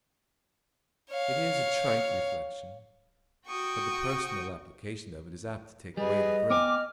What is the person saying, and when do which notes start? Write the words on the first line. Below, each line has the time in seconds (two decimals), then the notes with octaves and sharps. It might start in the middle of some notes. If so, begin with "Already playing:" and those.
It is a trite reflection, but the personal application of it is apt to take away the breath.
1.10 C#5 F5
3.45 F#4 G5 C#6 D#6
5.97 G3 G#4 B4 D#5
6.50 B3 G5 G#5 D6 F6